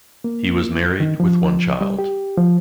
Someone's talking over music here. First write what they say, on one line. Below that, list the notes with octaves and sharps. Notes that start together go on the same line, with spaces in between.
He was married with one child.
A#3
D#3
F3
G3
G4
F3